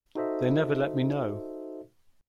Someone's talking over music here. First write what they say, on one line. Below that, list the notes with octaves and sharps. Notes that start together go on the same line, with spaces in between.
They never let me know.
D#4 F#4 A4 C5 D#5 E5